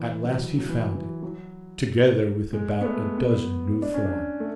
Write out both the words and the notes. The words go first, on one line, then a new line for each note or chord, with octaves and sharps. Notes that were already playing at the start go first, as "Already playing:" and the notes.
At last he found it, together with about a dozen new thorns.
Already playing: E3
F#3
F#3
E3
E3
F#3
G#3
B3
A3
B3
D4
C#4
D4
A3